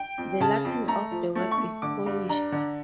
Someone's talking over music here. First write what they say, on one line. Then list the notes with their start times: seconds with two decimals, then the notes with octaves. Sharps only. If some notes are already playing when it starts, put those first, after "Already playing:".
The Latin of the work is polished.
Already playing: G5
0.18 F2
0.41 C#3 A5
0.65 F2
0.88 A3 A#5
1.11 F3
1.35 A3
1.51 C#6
1.58 A3
1.82 D3 D6
2.06 G2
2.29 D4 A#5
2.52 D3